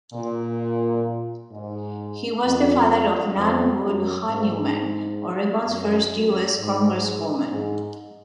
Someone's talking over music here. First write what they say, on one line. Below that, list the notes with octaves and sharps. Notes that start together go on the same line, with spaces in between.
He was the father of Nan Wood Honeyman, Oregon's first U. S. congresswoman.
A#2
G#2
F2
F2
F#2
G#2
F#2
F#2
G#2
G#2